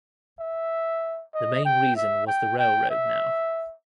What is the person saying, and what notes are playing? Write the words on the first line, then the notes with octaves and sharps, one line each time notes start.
The main reason was the railroad now.
E5
D#5
G5
E5
G5
G5
E5